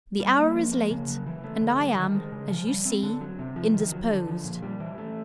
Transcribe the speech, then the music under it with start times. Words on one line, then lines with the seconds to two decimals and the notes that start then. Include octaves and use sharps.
The hour is late, and I am--as you see--indisposed.
0.20 G3
0.38 A#3
0.54 F3
0.72 A#3
0.91 C#3
1.08 F#3
1.26 E3
1.44 A3
1.61 D3
1.79 G3
1.96 D#3
2.15 G#3
2.32 C#3
2.50 F3
2.67 G3
2.85 C4
3.03 D3
3.21 F#3
3.39 C3
3.56 F3
3.74 D#3
3.92 F#3
4.09 D3
4.27 F3
4.45 A#2
4.62 G3
4.80 E3
4.98 A3